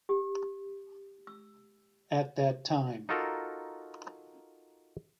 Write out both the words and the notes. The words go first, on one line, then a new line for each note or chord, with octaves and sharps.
At that time.
G4
E6
D#4 F4 F#4 A4 A#4